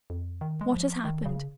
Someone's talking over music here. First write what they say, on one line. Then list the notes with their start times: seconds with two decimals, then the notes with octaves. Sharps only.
What has happened?
0.10 F2
0.41 D#3
0.61 G#3
0.73 F3
1.05 D#3
1.26 C#3